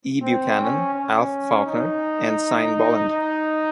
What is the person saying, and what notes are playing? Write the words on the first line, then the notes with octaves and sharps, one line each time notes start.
E Buchanan, Alf Faulkner and Sine Boland.
C4
C#4
C#4
D#4
D#4